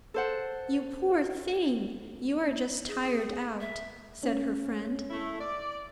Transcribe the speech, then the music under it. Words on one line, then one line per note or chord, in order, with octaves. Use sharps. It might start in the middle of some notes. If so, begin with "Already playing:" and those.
"You poor thing, you are just tired out," said her friend.
A4 C5 F#5
G#4
E5
C#4
A3 E4
D5